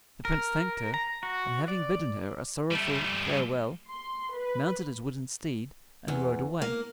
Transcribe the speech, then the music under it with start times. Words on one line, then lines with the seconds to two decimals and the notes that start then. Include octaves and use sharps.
The Prince thanked her, and having bidden her a sorrowful farewell, mounted his wooden steed and rode away.
0.25 A#4
0.94 A#5
1.23 F#4
1.68 D5
2.71 G3 A3
3.89 C6
4.37 B4
6.08 E2
6.62 A#3